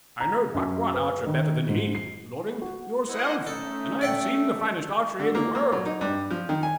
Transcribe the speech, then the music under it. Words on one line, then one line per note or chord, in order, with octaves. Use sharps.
"I know but one archer better than he, lording--yourself; and I have seen the finest archery in the world."
A#5
F#2
B4
D#3
G#2
C7
F#4
E4 C5 D#5 F#5
A3 C#4 D#4 A4
D5 E5 F#5 G5
D3
A#3
A#3
F#3
D#4
G2
F3
D#3
G#5